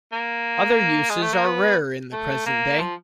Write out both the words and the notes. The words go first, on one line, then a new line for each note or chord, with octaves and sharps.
Other uses are rarer in the present day.
A#3
G#3
A3
A#3
B3
A3
A#3
F3